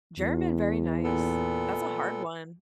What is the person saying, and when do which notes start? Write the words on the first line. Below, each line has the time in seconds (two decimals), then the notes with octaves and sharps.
German, very nice. That's a hard one.
0.19 E2
1.04 A#2 B3 A4